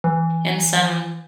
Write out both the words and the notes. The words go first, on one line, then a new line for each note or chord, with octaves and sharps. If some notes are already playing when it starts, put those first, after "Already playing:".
and some
E3